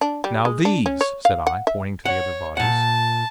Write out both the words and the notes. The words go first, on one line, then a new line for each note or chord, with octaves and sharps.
"Now these," said I, pointing to the other bodies.
D4
G3
G#3
D4
C#4
C#5
F5
F#5
E5
C#5 F#5
A#2 F#5 A5